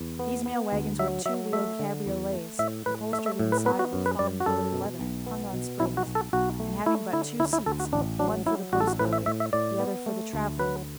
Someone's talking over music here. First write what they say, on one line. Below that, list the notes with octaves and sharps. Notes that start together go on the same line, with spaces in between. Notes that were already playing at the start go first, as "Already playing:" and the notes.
These mail-wagons were two-wheeled cabriolets, upholstered inside with fawn-colored leather, hung on springs, and having but two seats, one for the postboy, the other for the traveller.
Already playing: E2
B3
B3
D2
F#3 E5
F#3 E5
A3 E5
D3
E2
A3
A2 E5
A2 B4
A3 E5
E5
A2
B4
B3 B4
F#4
F#2
B4
F#2 D5
F#4
F#2 A4
B2
B1
B3
B2
B1 E4
F#4
B1
A4
B1 F#4
A3
A3 E4
D3 E4
D2 E4
E4
D2 A4
F#4
A1 D4
F#3 D4
F#3 E4
A1 F#4
A4
F#4
A2 B4
E5
A2 E5
E5
A2 D5
B3
A3
D2
F#3 B4